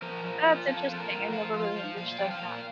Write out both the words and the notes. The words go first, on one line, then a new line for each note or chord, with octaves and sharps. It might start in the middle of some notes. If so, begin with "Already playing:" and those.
That's interesting. I never really understood that.
F3 A#4
F3
F4
F3 A4
F4
A#4
F3
F3 F5
F4
F5
F3
A#2 F5
F3 G5
F5
A#2